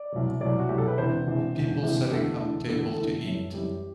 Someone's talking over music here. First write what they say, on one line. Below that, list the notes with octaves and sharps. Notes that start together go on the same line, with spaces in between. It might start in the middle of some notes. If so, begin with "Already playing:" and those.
People setting up the table to eat.
Already playing: D5
C2 B2 F#3
C2 B2 F#3 D5
F#4
C2 B2 F#3 G4
A4
B4
E1 E2 C3 C5
E1 E2 C3
E1 E2 C3
E1 E2 C3
G4
E2 D3 A3 A4
E2 D3 A3
E2 D3 A3 A4
E2 D3 A3 A4
F#2 E3 G3
F#2 E3 G3 G4